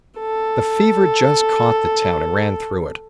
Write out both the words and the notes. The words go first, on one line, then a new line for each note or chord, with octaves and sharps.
The fever just caught the town and ran through it!
A4